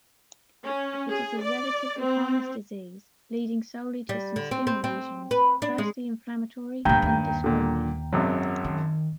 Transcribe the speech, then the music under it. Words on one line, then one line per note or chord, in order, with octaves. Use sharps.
It is a relatively harmless disease, leading solely to some skin lesions, firstly inflammatory, then dyschromia.
C#4
G#4
D5
C4
G3
D3
C4
C4
C4
B4
D4
G#3
D2 G2 A#2 G5 A#5 G6
D#2
A#2 D3
G#1 F#2 F#3
D#3